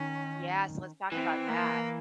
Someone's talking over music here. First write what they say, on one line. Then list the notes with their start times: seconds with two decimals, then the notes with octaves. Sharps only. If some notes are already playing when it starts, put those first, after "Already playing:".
Yes. Let's talk about that.
Already playing: D#3 C#4
1.12 E3 C4
1.48 A#3